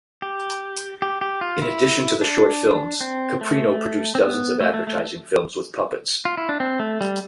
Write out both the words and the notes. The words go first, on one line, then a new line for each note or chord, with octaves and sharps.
In addition to the short films, Caprino produced dozens of advertising films with puppets.
G4
G4
G4
F4
E4
D4
C4
A3
C4
B3
A3
A3
A3
F4
E4
D4
C4
A3
G3